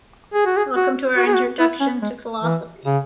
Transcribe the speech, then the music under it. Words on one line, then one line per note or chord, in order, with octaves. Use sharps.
Welcome to our introduction to philosophy.
G#4
F#4
G#4
F#4
F#4
G#4
F#4
E4
C#4
G#3
E3
C#3